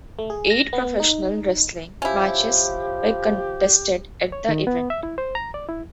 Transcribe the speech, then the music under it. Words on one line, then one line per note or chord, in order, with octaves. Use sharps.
Eight professional wrestling matches were contested at the event.
A3
G#4
A#6
B3
D#4
F3 C#4 E4 G4
C#5
D#3
B3
E5
E4
C5
A#5
D5
E4